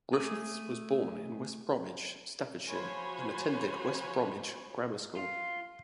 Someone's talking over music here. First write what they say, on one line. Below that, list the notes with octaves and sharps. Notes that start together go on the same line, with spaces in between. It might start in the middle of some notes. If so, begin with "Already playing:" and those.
Griffiths was born in West Bromwich, Staffordshire, and attended West Bromwich Grammar School.
A3 G#4 D6 D#6
F3 F#4 C5 C#5 G#5 B5
F4